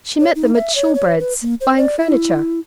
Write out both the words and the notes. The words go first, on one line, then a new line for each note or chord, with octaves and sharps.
She met them at Shoolbred's--buying furniture.
C#5
D#4
E5
C#5
C#5
B4
A#3
C5
D5
E4